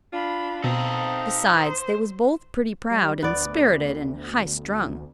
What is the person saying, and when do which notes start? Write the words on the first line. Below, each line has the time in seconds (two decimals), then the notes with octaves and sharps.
Besides, they was both pretty proud and sperrited and high-strung.
0.13 D4 F4 B5
0.64 B2 C4 D#4 A4 F5
1.56 C5
2.90 G3
3.22 D2 B3 D5